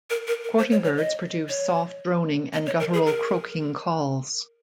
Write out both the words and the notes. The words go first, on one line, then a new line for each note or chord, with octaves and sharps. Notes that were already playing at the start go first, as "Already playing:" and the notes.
Courting birds produce soft droning and guttural croaking calls.
A#4
A#4
A#4
C5
C#5
C#5
D#5
C#5
D#5
C#5
A#4
G#4
A#4